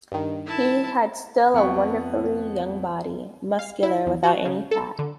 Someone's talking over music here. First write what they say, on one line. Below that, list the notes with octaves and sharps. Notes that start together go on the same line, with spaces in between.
He had still a wonderfully young body: muscular, without any fat.
G2 D#3
E4 A5
F2 B3 F#5 G5 C#6
F5
E4
E2
F#4
C#3
A4
D3